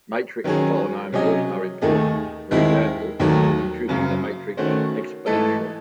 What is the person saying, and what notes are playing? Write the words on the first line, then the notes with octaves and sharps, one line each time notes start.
Matrix polynomials are important for example for computing the Matrix Exponential.
D#3 F#3 C#4 G#4
C3 F#3 C#4 G#4 D#5
D#2 D#3 A3 D#4 G#4
D#2 D#3 G#3 C4 E4
D#2 D#3 F#3 A3
F#1 F#2 C#3
D#3 A3 C#4 F#4 C5
G#2 E3 A3 D#4 A4